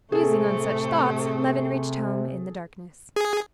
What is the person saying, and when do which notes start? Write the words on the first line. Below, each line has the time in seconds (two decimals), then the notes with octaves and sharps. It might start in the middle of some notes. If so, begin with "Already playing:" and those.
Musing on such thoughts Levin reached home in the darkness.
0.12 A2 C3 A3 C4 G#4 A4
3.16 G#4